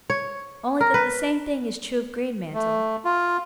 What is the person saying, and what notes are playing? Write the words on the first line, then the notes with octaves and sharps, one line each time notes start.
'Only that the same thing is true of Greenmantle.
C#5
A#4
B4
A3
F4